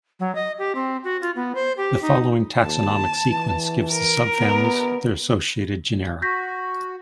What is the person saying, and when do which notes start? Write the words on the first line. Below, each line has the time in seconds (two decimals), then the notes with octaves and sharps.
The following taxonomic sequence gives the subfamilies, their associated genera.
0.20 F#3
0.35 D#5
0.59 G4
0.75 C4
1.04 F#4
1.21 F4
1.36 B3
1.55 C5
1.77 G4
2.02 D#4
2.63 D#2 A5
3.27 E3
3.92 A#4
4.39 B3
6.22 F#4 G6 A#6 B6